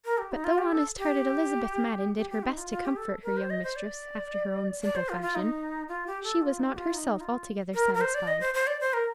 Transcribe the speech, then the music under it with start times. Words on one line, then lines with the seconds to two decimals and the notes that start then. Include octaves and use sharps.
But though honest-hearted Elizabeth Madden did her best to comfort her young mistress after her own simple fashion, she was not herself altogether satisfied.
0.05 A#4
0.18 G4
0.32 D#4
0.44 F4
0.58 G4
0.72 A4
0.98 G4
2.17 G4
2.30 G4
2.44 D#4
2.57 F4
2.70 F4
2.84 G4
2.97 A4
3.23 A#4
3.37 C5
3.50 D#5
3.63 C5
3.76 D5
4.83 D5
4.96 C5
5.09 F4
5.22 F4
5.35 D#4
5.88 F4
6.07 G4
6.24 A4
6.42 F4
6.59 D#4
6.69 G4
6.77 F4
6.94 D#4
7.21 F4
7.74 A#4
7.94 A#4
8.01 C5
8.14 D5
8.27 D#5
8.40 C5
8.54 C5
8.67 D5
8.81 C5
8.93 A#4